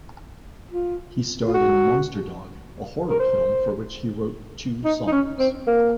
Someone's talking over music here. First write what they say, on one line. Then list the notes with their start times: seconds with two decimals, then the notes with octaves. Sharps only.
He starred in "Monster Dog", a horror film for which he wrote two songs.
0.71 F4
1.47 F4
1.54 F#4
3.10 A#4
3.19 C5
4.85 D#4
5.07 D#4
5.12 C#4
5.39 C4
5.67 A#3